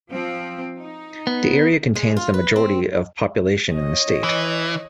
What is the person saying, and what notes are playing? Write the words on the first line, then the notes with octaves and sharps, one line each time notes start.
The area contains the majority of population in the state.
F3 C4
D#4
B3
G#3
F4
B4
C4
C#5 D#5
E3